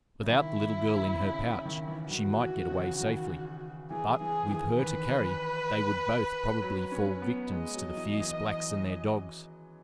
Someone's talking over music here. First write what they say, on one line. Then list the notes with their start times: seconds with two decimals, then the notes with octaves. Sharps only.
Without the little girl in her pouch, she might get away safely; but, with her to carry, they would both probably fall victims to the fierce Blacks and their dogs.
0.21 C#3
0.29 D#3 E4
1.19 C#3
1.42 C#3
1.65 D#3
1.87 E3
2.10 D#3 F#4
2.40 E3
2.70 C#3
3.00 D#3
3.90 E3 G#4
4.21 E3 G#4
4.46 E3
4.50 D#3 G#4
4.80 D#3 B4
6.62 F#3
6.92 C#4
7.22 B3
7.52 G#3 D#5
7.74 F#3
7.97 E3
8.20 E3